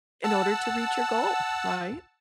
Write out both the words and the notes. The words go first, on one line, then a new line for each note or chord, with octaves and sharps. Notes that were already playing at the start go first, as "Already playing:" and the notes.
In order to reach your goal, right?
F#5 A5 E6